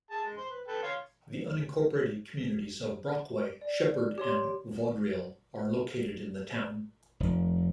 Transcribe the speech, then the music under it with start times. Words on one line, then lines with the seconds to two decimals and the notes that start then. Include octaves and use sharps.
The unincorporated communities of Brockway, Sheppard, and Vaudreuil are located in the town.
0.11 G#4 A5
0.24 G#3
0.37 C5 C6
0.50 B4
0.67 A4 B4 G5
0.83 C#5 F5 C6
3.61 D5
4.18 G4 C#5 C6
7.20 F1